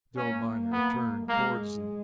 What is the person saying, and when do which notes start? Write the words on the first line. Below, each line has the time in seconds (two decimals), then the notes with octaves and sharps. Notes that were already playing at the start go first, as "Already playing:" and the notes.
The old miner turned towards them.
0.17 A#3 C#4
0.73 B3
1.28 G#3 A#3